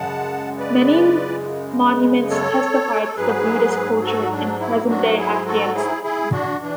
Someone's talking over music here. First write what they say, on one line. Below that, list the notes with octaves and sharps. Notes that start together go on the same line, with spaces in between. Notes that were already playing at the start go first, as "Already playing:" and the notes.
Many monuments testify to the Buddhist culture in present-day Afghanistan.
Already playing: F#2 C#3 G#3 F#5 A5
B4 D5
A4 C#5
A4
G#2 F#3 G#4 B4
G#4
F#4 A4
D4
E4
D4 F#4
E4 G#4
F#4 A4
E4 G#4
E4 G#4
D4 F#4
E3 D4